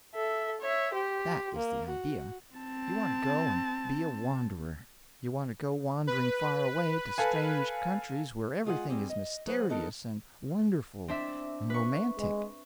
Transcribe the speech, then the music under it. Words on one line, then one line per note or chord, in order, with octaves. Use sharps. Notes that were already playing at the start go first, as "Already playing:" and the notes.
That is the idea; you want to go and be a wanderer; you want to go wandering far away to strange countries where everything is mysterious and wonderful and romantic.
A4 E5
C#5 E5
G4 C5
A#3
F#4
C4 A5
B4
A4 F5 G#5
G#3 F4 G#4 F#5
G3 C4 G4 G#4
D#5
F#3 G#4 B4 C5 F5 F#5
D#3 B3 D#4 A4 A#4
C4 D4 E5
B4 C#6
G#3